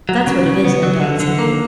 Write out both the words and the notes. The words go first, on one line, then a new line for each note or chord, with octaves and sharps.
"That's what it is, no doubt," said he.
F#3
C#3
C#3
B3
F#3
D3
D3
A#3